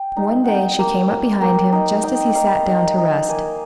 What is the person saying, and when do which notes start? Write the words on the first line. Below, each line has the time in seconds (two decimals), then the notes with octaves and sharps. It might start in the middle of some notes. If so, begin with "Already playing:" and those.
One day she came up behind him just as he sat down to rest.
Already playing: G5
0.17 D#4
0.44 D#4 F#5 G5
0.79 A#3
1.11 A#3
1.41 A#3 G5
1.72 D#4
2.03 D#4 G5
2.35 D#4 F5
2.65 D#4 F5
2.98 D#4
3.29 A#3 G#5